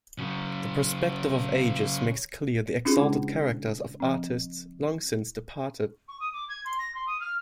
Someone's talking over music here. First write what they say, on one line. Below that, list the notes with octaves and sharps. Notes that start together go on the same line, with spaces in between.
The perspective of ages makes clear the exalted characters of artists long since departed.
C#3 F#3
C#4 D4 E4 F4 G4 G#4
C#3 G#3 A5 D6
F3 C4
C#6
D#6
D6
G#6
C6
A#6
C6
D#6
F6